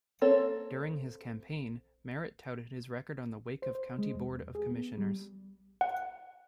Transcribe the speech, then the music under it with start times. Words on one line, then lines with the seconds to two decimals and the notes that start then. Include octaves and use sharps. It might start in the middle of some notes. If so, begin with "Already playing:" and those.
During his campaign, Merritt touted his record on the Wake County Board of Commissioners.
0.22 A#3 C4 A4 C#5
3.62 C5
3.75 C5
3.98 G#3
4.14 E2
4.55 G#4
4.71 B3
4.98 G3
5.81 F#5